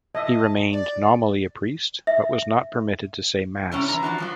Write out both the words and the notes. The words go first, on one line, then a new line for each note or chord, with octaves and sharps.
He remained nominally a priest but was not permitted to say Mass.
D#5 E5 A5
D5
E5
A2 C3 G3 C#4
E3 A#5
F3 G3 D4 F#4
G2 F3 F#3